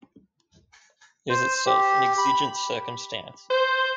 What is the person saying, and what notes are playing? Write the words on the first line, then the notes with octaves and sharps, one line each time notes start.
It is itself an exigent circumstance.
C5
G4
B5
C5